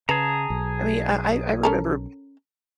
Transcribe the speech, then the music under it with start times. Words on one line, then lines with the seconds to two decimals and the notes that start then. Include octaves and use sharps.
I mean, I I I remember
0.09 C#3 G#4 B4 A5 A#5
0.50 B1
1.63 C#4 A4 A#4